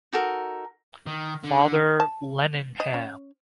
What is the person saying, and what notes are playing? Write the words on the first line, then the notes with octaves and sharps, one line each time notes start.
Father Lenihan.
D#4 F#4 A4 A#4
D#3
D3
A5
D#5
C#4